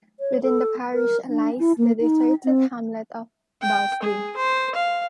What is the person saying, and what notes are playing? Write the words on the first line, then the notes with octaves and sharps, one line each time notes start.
Within the parish lies the deserted hamlet of Balsdean.
C#5
A4
A#4
D4
E4
A#3
D#4
C4
G5
G#4
C5
F5